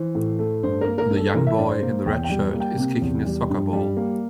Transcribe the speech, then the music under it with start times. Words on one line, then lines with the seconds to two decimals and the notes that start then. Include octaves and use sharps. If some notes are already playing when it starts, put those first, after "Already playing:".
The young boy in the red shirt is kicking a soccer ball.
Already playing: E3 C5
0.15 A2
0.39 A3
0.63 G2 C5
0.81 A#4
0.87 A#3
0.98 A#4
1.10 G2
1.17 A4
1.34 E3 A#4
1.47 E5
1.59 G2 D5
1.70 C5
1.82 A#3
2.06 E2 G5
2.24 G5
2.30 G3
2.54 A#3
2.60 G5
2.77 C3
3.02 E2
3.25 G3
3.50 G2
3.73 G3
3.97 A#3